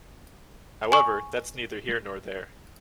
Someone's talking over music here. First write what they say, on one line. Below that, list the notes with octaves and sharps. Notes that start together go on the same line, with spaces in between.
However, that’s neither here nor there.
G#5 C#6